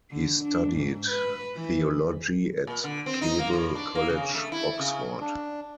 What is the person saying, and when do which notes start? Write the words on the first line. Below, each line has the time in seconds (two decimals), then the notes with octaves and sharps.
He studied theology at Keble College, Oxford.
0.11 D3
0.44 D4
0.73 G#2
1.09 B4
1.56 E3
2.67 A#2
2.84 D3
3.06 C4
3.21 D#4
3.39 A#3
3.53 A2
3.75 D4
3.95 A#3
4.09 C#3
4.35 A3
4.52 E4
4.79 C#3
5.20 D4